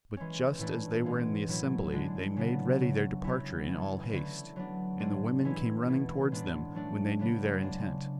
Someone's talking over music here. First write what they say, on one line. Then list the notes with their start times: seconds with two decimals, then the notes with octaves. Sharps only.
But just as they were in the assembly they made ready their departure in all haste, and the women came running towards them, when they knew their intent.
0.17 E3 G#3 C#4
0.59 A2 E3 A3 D4
1.05 B2 G#3 C#4
1.48 A2 F#3 A3 E4
1.92 D3 G#3 D4
2.37 C#3 F#3 B3 D4
2.80 C#3 F#3 A3
3.24 F#3 C#4 E4
3.68 E3 A3 C#4
4.11 D3 A3 E4
4.56 F#3 B3 D4
4.99 A2 G#3 D4
5.44 A2 E3 G#3 C#4 E4
5.88 B2 A3 E4
6.31 A2 G#3 B3 D4
6.75 F#3 A3 D4
7.19 C#3 F#3 B3 D4
7.62 C#3 G#3 D4